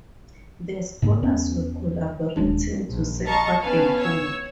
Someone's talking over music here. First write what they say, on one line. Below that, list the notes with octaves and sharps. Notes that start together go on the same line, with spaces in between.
The scholars were collaborating to save what they could.
G#2 C#3 A#3
E2 B3 C#4
D#1 D#2 G#3 D4
A#1
D#5 F5 A5 A#5 C#6 A6
B3 C#4 B4 F5 G#5 A5
C#5 E6